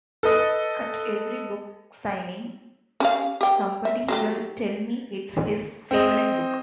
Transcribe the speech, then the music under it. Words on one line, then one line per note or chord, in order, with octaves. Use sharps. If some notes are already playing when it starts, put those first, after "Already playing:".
At every book signing, somebody will tell me it's his favorite book.
A4 B4 D#5
C#4 G4 F5
G4 G5
E5
F#3 A3 G4
C4 D#5